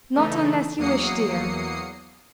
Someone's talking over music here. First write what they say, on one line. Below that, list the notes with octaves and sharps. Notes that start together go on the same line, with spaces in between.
Not unless you wish, dear.'
C#3 E3 A3 D#4
E2 F#3 A#3 D#6 C7 C#7